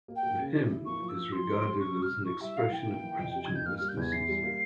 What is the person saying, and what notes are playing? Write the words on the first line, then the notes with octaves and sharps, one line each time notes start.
The hymn is regarded as an expression of Christian mysticism.
A#3
G5
A#3
C#3
E4
E4
A#3 C#6
F3
E6
F3
F3 C6
C3
C3
C#4 C#6
G3
F6
C3
E4 C#6
G3 E5
E4 F5
E3 G5
A#3
E3
F2
C3
F2 G#6
G6
A#3 F6
G3 F6
G6
E2 G#6
E3 C7
G3
A#3